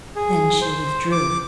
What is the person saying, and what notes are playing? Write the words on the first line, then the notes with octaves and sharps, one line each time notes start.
Then she withdrew.
G#4
C5
D6